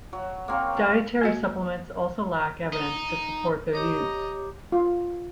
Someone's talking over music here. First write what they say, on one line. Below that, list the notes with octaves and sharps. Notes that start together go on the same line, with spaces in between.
Dietary supplements also lack evidence to support their use.
F#3
A#3 C4 A#4 C#5
F5 A5
A#3 F#4 D#5
D#4
G4 C#5 D#5 A#5 D6
F4